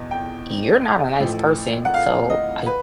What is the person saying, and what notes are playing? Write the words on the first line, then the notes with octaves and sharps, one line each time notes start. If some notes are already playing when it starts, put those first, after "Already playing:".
you're not a nice person, so I
Already playing: E2 B2
G5
A1 A2 F3
F#5
F5
D#5
B4